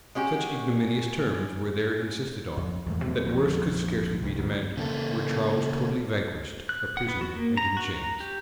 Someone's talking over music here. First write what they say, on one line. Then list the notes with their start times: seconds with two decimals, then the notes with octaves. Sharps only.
Such ignominious terms were there insisted on, that worse could scarcely be demanded, were Charles totally vanquished, a prisoner, and in chains.
0.15 G#3 C#4 F#4 G4
2.57 F2
2.86 E2 G#2 E3 A3
3.05 B2 F#3 A3 C4
3.26 A#1 F2 D3
4.22 C2 G#2
4.38 D2 B2 D#3
4.77 C#3 A#3 A4
6.69 F#6
6.97 F#5
7.08 B3
7.21 F#4
7.36 A#3
7.57 A#5
7.77 F#4
7.97 A#5
8.20 G4